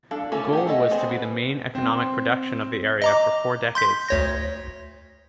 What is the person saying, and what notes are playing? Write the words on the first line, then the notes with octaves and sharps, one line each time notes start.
Gold was to be the main economic production of the area for four decades.
D4 A4 F5
A3 A#3 C#4 F4 A4
G4 G#4 F#5
A3 A4 D#5
B3 C4 G#4 C5
B4
C4
D#5 A#5 D6
C6 G6 B6
D2 C#5 A#6